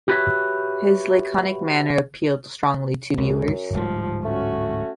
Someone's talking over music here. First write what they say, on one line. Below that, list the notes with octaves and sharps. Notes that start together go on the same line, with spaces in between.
His laconic manner appealed strongly to viewers.
F#4 G4 B4 C#5 E5
C#2 F#2
D1 G#2 F3 G3
A3 C#4 F#4